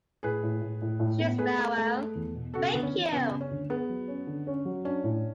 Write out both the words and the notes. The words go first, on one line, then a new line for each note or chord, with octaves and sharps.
She is very well, thank you.
A2 G#4 B4
A2
A2
A2
A2
B3
A3 G#4 B4
A3
A3
A3
E2
B2
C#3 F#4 A4
D2 B3
C#4
E3
C#3 B3
C#3
C#4
D2
B3 G#4
F#3
C#4
D3
C#4
F#3
C#4 D4
A2